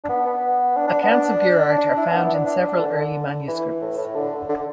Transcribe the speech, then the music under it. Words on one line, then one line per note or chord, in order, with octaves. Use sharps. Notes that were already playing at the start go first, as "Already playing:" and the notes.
Accounts of Girart are found in several early manuscripts.
D4
B3
B3
D4
D4
B3
D4
D4
E4
D4
B3
E4
D4
D4
D3
E3
A2
A2
D3
D3